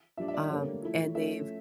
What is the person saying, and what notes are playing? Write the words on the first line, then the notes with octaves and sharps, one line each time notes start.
um, and they've
A#2 G3 D4 E5
E5
D5
D3 G3 A#3 C#5
F3 A3 E4
F3 A3 C#4 E5